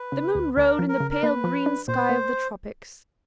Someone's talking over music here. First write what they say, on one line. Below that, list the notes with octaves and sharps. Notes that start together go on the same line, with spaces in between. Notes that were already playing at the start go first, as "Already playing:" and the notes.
The moon rode in the pale green sky of the tropics.
Already playing: B4
C#3
D2
D2 A#4
F3
A#4
C#3
A#4
A#3 B4
F3
D4
A#2 C5
A#3